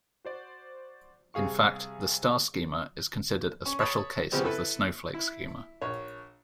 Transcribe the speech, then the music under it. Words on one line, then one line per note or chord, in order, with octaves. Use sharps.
In fact, the star schema is considered a special case of the snowflake schema.
F#4 C5 D5
C3 G3 G#4 F5 C#6
C#4
C#5 A5 B5 D#6
C#3 F3 G3 B3 C4
E4 A4 B4
E4
A#1 C#5